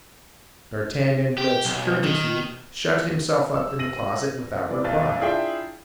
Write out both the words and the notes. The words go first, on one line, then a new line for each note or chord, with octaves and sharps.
D'Artagnan, who had secured the key, shut himself up in the closet without reply.
G4
B1
D#3
E6
A#6 D#7 F#7
E3 D5
B1 A6
D4 E4 F4 G#4 E5 G5